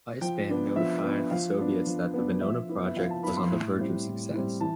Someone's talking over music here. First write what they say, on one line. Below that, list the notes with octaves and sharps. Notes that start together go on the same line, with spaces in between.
Weisband notified the Soviets that the Venona Project was on the verge of success.
F3 G5
B3 D4
F3 E5
B3 D4
F3 F5
B3 D4
F3
B3 D4
F3 E5
B3 E4
E5
F3 F5
A5
B3 E4 B5
C6
A2
G3 C4 E4
A2
G3 C4 E4
E3 A5